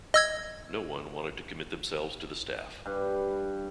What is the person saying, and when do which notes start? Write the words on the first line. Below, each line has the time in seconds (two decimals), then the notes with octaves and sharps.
No one wanted to commit themselves to the staff.
0.14 D#5 E6 G#6
2.86 G2 B4